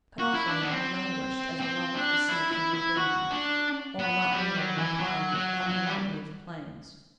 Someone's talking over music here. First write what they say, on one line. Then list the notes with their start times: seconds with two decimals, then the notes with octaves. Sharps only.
Cut off from them he languished as a lover of the sea can droop inland, or a mountaineer may pine in the flat monotony of the plains.
0.19 F#4
0.34 E4
0.48 D4
0.62 B3
0.70 C4
1.60 C4
1.95 D4
2.29 E4
2.52 E4
2.74 E4
2.97 F#4
3.31 D4
3.99 B3
4.32 G3
4.55 F#3
4.78 E3
5.00 F#3
5.35 F#3
5.69 F#3
5.86 G3